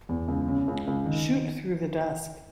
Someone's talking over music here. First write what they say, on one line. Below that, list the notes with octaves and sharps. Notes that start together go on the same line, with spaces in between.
Shoot through the desk.
E2
C#2
C#3
C#2
C#2
D#3